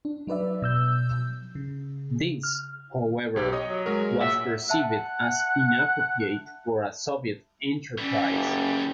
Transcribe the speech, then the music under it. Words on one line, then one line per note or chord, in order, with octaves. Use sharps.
This, however, was perceived as inappropriate for a Soviet enterprise.
D4
F#3 D#4 B4 D5 E5
B2 E6 G6
C#3
F6
B1 G4 G5
C#5 D#5 D#6
F#3
G#3 F#4 A#4
A#2 E5 F#5
E5 F#5 A5
E3 G3 C#4
F#1